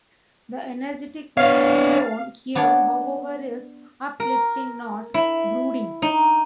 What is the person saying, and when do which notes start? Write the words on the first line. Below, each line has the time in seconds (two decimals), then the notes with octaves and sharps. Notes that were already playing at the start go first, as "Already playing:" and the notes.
The energetic tone here, however, is uplifting-not brooding.
1.37 B3 D4 C#5 F5
2.55 B3 D4 C#5 D5
4.20 A#4
5.14 E4
6.02 D#4